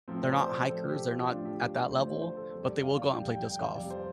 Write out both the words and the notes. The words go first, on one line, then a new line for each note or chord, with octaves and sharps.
they're not hikers, they're not at that level, but they will go out and play disc golf.
A2 F3 A3 C4
D5
C5
D5
C5
A2 F3 A3 A4
G4
F4
A2 F3 A3 D4
F4
G4
G4
A2 F3 A3 C5
D5
C5
A4
F2 C3 G3 A4
D5
F5
D5
F2 C3 G3 G5
G5
G5
F5
F2 C3 G3 D5
C5